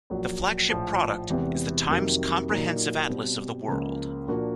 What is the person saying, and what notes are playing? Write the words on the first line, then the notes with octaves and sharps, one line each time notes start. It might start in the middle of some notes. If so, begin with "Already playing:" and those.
The flagship product is The Times Comprehensive Atlas of the World.
A#1 A#2 F#3
A#1 A2 F3
E1 E2 C3 E3
F2 C3 D#3 F#3 A#3
A#2 F#3 A#3 D#4 G4
B2 G3 C4
C#2 C#3 F3 A#3
A#2 F3 A#3 D4 F#4